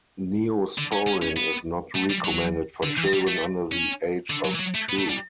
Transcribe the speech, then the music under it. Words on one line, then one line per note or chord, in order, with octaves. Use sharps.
Neosporin is not recommended for children under the age of two.
D3
C#4
C#4
C#4
B3
A3
G3
F#3
D3
E3
G3
A3
C#4
D3
F#3
E3
F#3
A3
B3
A3
G3